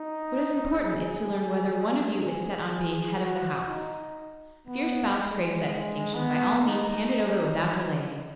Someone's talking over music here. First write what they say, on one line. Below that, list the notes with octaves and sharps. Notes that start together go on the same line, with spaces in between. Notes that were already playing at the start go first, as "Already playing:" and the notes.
What is important is to learn whether one of you is set on being "head of the house." If your spouse craves that distinction, by all means hand it over without delay.
Already playing: D#4
G#4
G#4
G#4
F#4
D#4
B3
G#3
B3
D#4